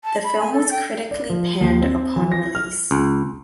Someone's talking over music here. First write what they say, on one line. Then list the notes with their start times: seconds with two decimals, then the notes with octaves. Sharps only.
The film was critically panned upon release.
0.04 A5
0.24 B5
0.40 G#5
0.52 A4
0.71 G5
1.11 D5
1.30 F3
1.61 D#2
1.82 C4
2.16 E3
2.32 A#6
2.55 F6
2.91 C#2